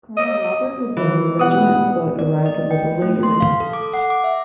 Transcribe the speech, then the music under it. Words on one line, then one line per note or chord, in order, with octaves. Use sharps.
Colonel Robert Lilburne's regiment of foot arrived a little later.
D#5
D#3 E3
B2 G3 B3 F#5 D#6
D5
D#5
G5
A3
C6
F5
A4
D6
F#5
D6
E5